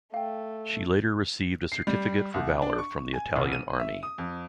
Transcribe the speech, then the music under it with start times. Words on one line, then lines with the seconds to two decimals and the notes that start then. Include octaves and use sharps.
She later received a certificate for valour from the Italian army.
0.14 A3 F5 G5
1.72 C7
1.87 G3
2.34 C2
2.62 D4
2.78 C#6
3.13 G#5
3.36 E1
3.53 D#7
3.80 E5
4.03 D#6
4.18 F2